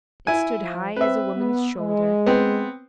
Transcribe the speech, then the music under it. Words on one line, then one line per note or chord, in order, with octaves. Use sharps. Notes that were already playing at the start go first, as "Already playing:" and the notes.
It stood high as a woman's shoulder.
E4 G#5
F3
C4 B4 E5
B3
G#3
B3 C4